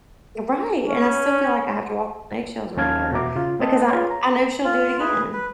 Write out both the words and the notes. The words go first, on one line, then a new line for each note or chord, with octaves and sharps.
Right, and I still feel like I have to walk on eggshells around her because I I know she'll do it again.
C#4
D#2 C#4 F5 A5 F6 G#6
E2 B2 F#4 E5 A#5 D6
C#3 F4
A3 C4 D#5 A5
F4 G#4 B4 C#5
A#5
F4
G#4 B4
B4